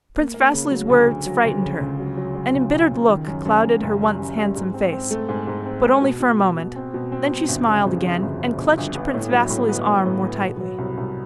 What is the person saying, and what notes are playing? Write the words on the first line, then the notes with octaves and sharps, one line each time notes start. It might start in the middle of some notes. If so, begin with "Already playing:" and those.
Prince Vasili's words frightened her, an embittered look clouded her once handsome face, but only for a moment; then she smiled again and clutched Prince Vasili's arm more tightly.
A#3
A#3
C#3
F#3
D2
D2
F#3
D2
C#3
C#2
F#3
F#3
F#3
C#2
C#2
C#2
D#3
F#2
F#2
F#2
F#1
G3
F#2
G3
G#2
C4
C4
A3
G#2
G#2
C4
G#2
B2
B2
B2
B2
C4
B2
C4
B2
G1
C#3
F2
C#3
G1
C#3
G1
G1
B3
A2
F#3
A2
B3
A2
A2
B3
B2
F#3
C2
C2